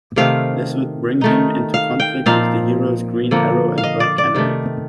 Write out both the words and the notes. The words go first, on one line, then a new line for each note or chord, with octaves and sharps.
This would bring him into conflict with the heroes Green Arrow and Black Canary.
C3 D#3 A3 C4 F5
D#3 A3 D#4
F5
G5
A#2 F3 C4 D#4 F5
D3 F3 A#3
F5
D#5
D5
D5
C3 D#3 A3